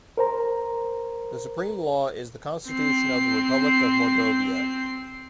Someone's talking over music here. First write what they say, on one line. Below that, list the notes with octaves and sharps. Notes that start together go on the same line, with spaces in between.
The supreme law is the Constitution of the Republic of Mordovia.
A#4 C5 A#5
C4 C7